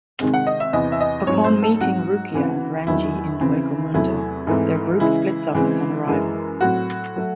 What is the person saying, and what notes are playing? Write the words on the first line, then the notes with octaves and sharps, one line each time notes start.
Upon meeting Rukia and Renji in Hueco Mundo, their group splits up upon arrival.
C3 D#3 G#3 C4
F#5
D#5
E5
E2 C3 E3 C4 D#5
E5
D#5
G#2 F#3 C4 C#5
C5
A4
G#2 F#3 C4 F#4
C#3 E3 C4
E2 D#3 F#3 E4
C#3 E3 C4
E2 C3 F#3 A3 E4
G#2 E3 A3 C4
C#3 E3 G#3 E4
C#3 E3 G#3 C4
F#2 E3 G#3
A2 F#3 C4 F#4
F#3 A3